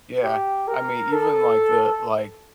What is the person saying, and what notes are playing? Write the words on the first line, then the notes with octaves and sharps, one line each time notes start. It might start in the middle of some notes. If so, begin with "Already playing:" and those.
Yeah, I mean, even like the, like
G4
A#4
A4